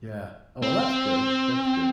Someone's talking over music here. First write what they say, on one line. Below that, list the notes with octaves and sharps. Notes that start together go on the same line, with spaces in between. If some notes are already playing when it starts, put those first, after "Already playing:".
Yeah, oh well, that's good, that's good.
C4